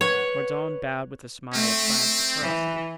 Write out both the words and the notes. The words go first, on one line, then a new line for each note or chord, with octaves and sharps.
Mordaunt bowed with a smile of triumphant ferocity.
B4 C#5 F#5
A3 C4
E3